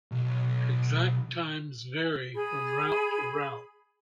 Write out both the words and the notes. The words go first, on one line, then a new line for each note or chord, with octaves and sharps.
Exact times vary from route to route.
B1
G#4 B5